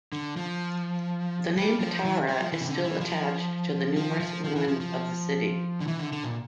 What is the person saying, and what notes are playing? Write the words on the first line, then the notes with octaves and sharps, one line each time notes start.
The name Patara is still attached to the numerous ruins of the city.
D3
F3
G3
F3
E3
G3
F3
E3
C3
D3
E3
F3
F3
F3
F3
E3
F3
F3
D3
E3
D3
D3
A#2